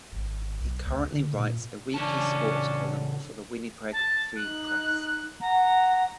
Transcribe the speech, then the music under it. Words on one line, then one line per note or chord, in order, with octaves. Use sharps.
He currently writes a weekly sports column for the "Winnipeg Free Press".
G#1
B1
D2
D3
A#2
C#3 E3 C#4 D4 A5
A5
D#4 F#6
F#5 A#5